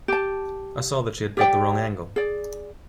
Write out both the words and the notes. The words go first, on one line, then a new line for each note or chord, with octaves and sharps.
I saw that she had got the wrong angle.
G4 A5
G4 D5 G5
G#4 D5